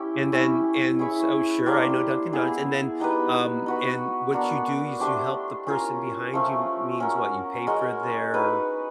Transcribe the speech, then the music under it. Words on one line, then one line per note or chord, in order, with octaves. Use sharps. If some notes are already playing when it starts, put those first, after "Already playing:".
and then and s Oh, sure, I know Dunkin' Donuts, and then um, and what you do is you help the person behind you, means what? You pay for their
Already playing: C#4 E4 G4
C#4 E4 G4
E4 G#4 C#5 E5
A#3 D4 G4 C5
B3 E4 G#4
B3 D#4 G4 B4
D#4 F#4 B4
B3 D4 F#4 A#4
A3 D4 G4 C5
C#4 F4 A#4
F3 A3 C#4
C#4 F#4 A#4
G#3 C#4 F#4 A#4
D#4 F#4 B4